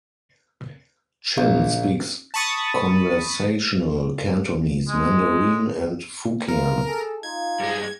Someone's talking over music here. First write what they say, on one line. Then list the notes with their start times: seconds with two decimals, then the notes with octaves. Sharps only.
Chin speaks conversational Cantonese, Mandarin and Fukien.
1.38 A#1
2.34 A5 B5 C#6 D#6 A6
4.88 G#3
6.48 C3 B3 F4 A#4
6.86 G#4 A4
7.23 D#4 F4 G#6
7.60 G2 G#3